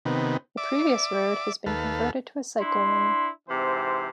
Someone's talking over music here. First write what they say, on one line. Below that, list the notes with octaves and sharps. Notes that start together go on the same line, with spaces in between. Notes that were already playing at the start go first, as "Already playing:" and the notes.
The previous road has been converted to a cycle lane.
C3 D#3 B3
D5 E5 D6
D#2 A4 B4 F5
D4 E4 C6
G#2 C3 E3 C4 C5